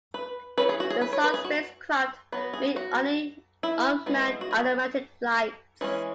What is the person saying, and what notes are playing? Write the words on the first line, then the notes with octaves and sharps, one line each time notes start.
The Zond spacecraft made only unmanned automatic flights.
B4
E3 G#3 C#4 B4
G#4
F#4
G#4
B4
C#5
B4
G#4
F#4
F#3 B3 B4
G#4
F#4
E4
E3 G#3 B3
F#4
G#4
E3 G#3 C#4